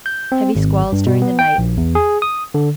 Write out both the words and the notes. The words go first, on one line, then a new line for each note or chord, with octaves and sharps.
Heavy squalls during the night.
G6
C4
G#1
G2
B2
B3
G5
A#1
E2
G#4
D#6
D3